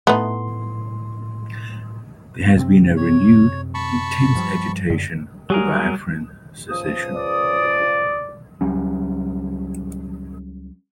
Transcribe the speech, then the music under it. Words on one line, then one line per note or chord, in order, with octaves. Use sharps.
There has been a renewed, intense agitation for Biafran secession.
A2 A3 B3 D#4 C6
F#2 C3 C4
C#5
A5 B5 C#6
G2 F3 G3
F#2 D3
F#3 G3 G#4 A#4
C#2 F3 D#6
D5
C#2 F#3 G3 C#4